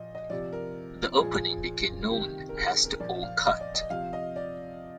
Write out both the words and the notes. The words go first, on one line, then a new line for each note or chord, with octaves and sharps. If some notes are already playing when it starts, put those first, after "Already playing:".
The opening became known as "The Old Cut".
Already playing: A#2 F3 D#5
D#5
C3 F3 D5
A#4
A#2 F3 G#4
C3 D#3 G4
A#4
G#4
A#4
A#2 F3 D5
F5
D#5
D5
D#5
C3 F3 F5
D#5
D5